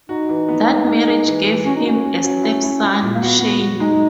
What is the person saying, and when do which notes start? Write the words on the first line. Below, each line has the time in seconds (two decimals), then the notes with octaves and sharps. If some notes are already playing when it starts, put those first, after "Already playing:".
That marriage gave him a stepson, Shane.
0.09 D#4 F#4
0.29 E3
0.48 B3
0.68 B3
0.87 G#3
1.07 G#4
1.27 E3
1.47 E3
1.65 C#4 F#4
1.76 D#4
1.85 C#4 F#4
2.05 F#4
2.24 F#3
2.43 E4
2.63 E4
2.82 E4
3.02 A#2
3.15 A#3
3.22 B3 F#4
3.41 B3 F#4
3.61 F#4
3.80 G#3 D#4